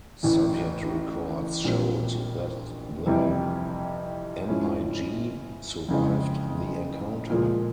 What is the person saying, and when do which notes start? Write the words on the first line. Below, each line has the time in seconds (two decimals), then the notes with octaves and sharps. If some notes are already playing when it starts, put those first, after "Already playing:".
Soviet records showed that the MiG survived the encounter.
0.23 A1 A2 E3
1.64 A#1 A#2 G3 C4
3.06 F2 C3 E3 G3
4.47 G#2 F3 G#3 C#4 E4
5.88 F2 C#3 E3 G#3
7.30 A#2 F3 G#3